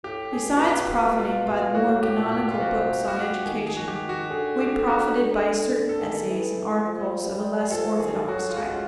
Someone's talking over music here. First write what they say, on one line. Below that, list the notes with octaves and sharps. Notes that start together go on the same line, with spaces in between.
Besides profiting by the more canonical books on education, we profited by certain essays and articles of a less orthodox type.
A2 G4
G#4
B2
F#4
G4
B2 F4
F4
F4
A2 F#4
G4
A#2
G4
F4
C3 F#4
F#4
G4
D#3 G#4
G#4
F#4
G4
F#4
D3 G#4
G4
D3
F#4
A4
D#3 G#4
E3
F3
G3
G#4
F3 A4
D#3 G#4
F#3 F#4
F4
G#3 F#4
F4